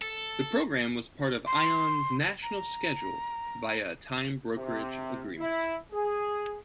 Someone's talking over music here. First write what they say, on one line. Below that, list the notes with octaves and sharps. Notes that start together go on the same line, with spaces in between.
The program was part of Ion's national schedule via a time brokerage agreement.
A4
C6
A#5
C3
E4
G#4